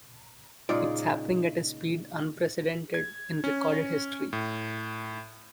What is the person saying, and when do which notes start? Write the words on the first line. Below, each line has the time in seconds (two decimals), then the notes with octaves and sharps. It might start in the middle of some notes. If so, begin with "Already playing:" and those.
It's happening at a speed unprecedented in recorded history.
0.69 A#2 C#3 G#3 D#4 F4 D5
2.94 G#6
3.44 C#4
4.33 A2